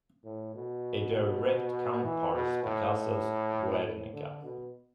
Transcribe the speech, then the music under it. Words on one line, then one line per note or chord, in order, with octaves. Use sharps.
A direct counterpart is Picasso's "Guernica".
A2
B2
E3
B2
A2
A2
D3
B2